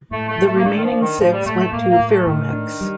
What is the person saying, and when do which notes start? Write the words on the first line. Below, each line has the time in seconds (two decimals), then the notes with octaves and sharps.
The remaining six went to Ferromex.
0.11 A2 A3
0.28 A3
0.38 A2
0.47 A3
0.56 A#3
0.65 A3 D4
0.77 D#3
0.83 F3
0.92 D4
1.01 D#3
1.18 A2 F3
1.32 G3
1.46 A2 A3
1.59 A3
1.72 A2 A#3
1.90 A#3
1.99 A2
2.09 A3
2.26 A2 D#3
2.53 D4
2.81 G3